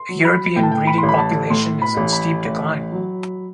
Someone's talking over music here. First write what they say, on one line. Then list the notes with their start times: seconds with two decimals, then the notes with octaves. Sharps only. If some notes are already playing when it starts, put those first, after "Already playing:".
The European breeding population is in steep decline.
Already playing: C6
0.09 F#3
0.25 B5
0.56 A2 G5
0.63 A5
0.72 G5
0.87 B5
0.98 A1 C6
1.09 B5
1.18 A5
1.50 A2 C6
1.82 B5
1.97 A1
2.13 B5
2.45 A1
2.92 F#3